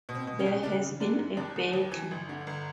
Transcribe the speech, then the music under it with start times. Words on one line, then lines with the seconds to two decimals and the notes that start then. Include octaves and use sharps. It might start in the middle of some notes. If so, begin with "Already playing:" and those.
There has been a battle.
0.09 B2
0.15 C4
0.27 B2
0.39 C#4
0.46 B1
0.63 C#3 D4
0.82 C#3
1.00 F#2 D4
1.19 F#2
1.37 D#2 D4
1.56 D#2
1.73 D#2
1.92 E3
2.11 G1
2.29 D3
2.47 G1